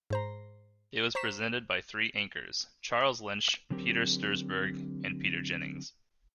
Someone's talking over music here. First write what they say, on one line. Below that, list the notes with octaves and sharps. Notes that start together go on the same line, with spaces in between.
It was presented by three anchors: Charles Lynch, Peter Stursberg and Peter Jennings.
G#2 C5 A#5
C5 A#5 C#6 B6 E7
D3 F#3 C4 G4 A#4